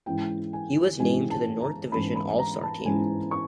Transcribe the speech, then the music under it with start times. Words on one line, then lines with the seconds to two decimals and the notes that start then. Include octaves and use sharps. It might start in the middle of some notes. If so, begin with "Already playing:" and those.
He was named to the North Division All-Star team.
0.06 G#2 E3 G#3 C#4 E4 G5
0.53 G#5
0.99 G#2 E3 G#3 C#4 E4 G#5
1.30 A5
1.61 A#5
1.92 G#2 E3 G#3 C#4 E4 B5
2.16 B5
2.39 A#5
2.62 A5
2.85 G#2 E3 G#3 C#4 E4 G#5
3.31 C#6